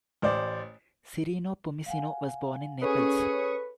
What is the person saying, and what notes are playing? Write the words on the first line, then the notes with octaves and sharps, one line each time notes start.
Cirino Pomicino was born in Naples.
A1 C5 D5
F5 F#5 G#5
C#4 G#4 A4 B4 C#5 C#6 D#6